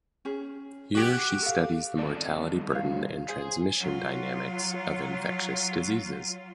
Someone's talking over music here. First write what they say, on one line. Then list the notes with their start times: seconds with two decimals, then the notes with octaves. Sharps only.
Here she studies the mortality burden and transmission dynamics of infectious diseases.
0.25 C#4 G#4
0.95 F#4 G4
1.42 A4 F5
1.99 G2 D#3 A4 D5
2.72 C#5 F5
3.28 G#4 C5
3.80 F#3 F4